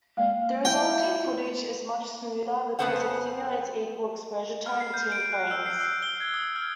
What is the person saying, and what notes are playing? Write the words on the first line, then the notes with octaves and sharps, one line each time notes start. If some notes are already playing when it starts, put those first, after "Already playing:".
The resulting footage is much smoother because it simulates equal exposure time between frames.
G#3 A#3 D5 F5
E4 G5
F2 C#3 B3 B4 C5 F#5
F6
C7
G6
D7
F#6
E6
C7
E6
G7
G#6
D#6
F6